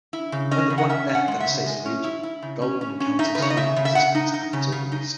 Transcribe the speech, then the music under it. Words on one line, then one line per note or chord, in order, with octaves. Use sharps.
When the Black Death devastates the region, Goldmund encounters human existence at its ugliest.
E4
C#3
C#4 D#5
C#3
F#5
C#4 E5
C#4
F#5
G#3 F#5
E5
C#3
G#3
C#4
E4
E4
C#3
C#4
C#4
C#4
D#4 E5
B4
C#3 C#5
D#5
C#3 E5
C#3
E5
C#3 F#5
D#4
D#4
C#3
C#3
D#4